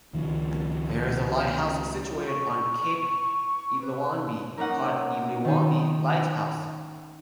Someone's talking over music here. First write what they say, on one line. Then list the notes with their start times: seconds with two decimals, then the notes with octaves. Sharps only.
There is a lighthouse situated on Cape Eluanbi, called Eluanbi Lighthouse.
0.14 C#2 D#3 F3
2.12 F4
2.27 C#6
3.81 B4
4.58 A#3 C#4 D#4 F#5
5.45 D#3 D#4